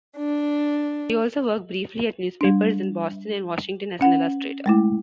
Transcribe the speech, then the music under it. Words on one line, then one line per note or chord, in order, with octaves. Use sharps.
He also worked briefly at newspapers in Boston and Washington as an illustrator.
D4
G3 D4
C#4 F#5
G#3 A3 E4